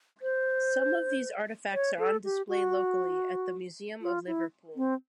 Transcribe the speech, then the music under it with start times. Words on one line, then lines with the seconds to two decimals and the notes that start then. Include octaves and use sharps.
Some of these artefacts are on display locally, at the Museum of Liverpool.
0.22 C5
1.74 C#5
1.99 A4
2.25 G4
2.49 F#4
4.01 F4
4.27 E4
4.76 C4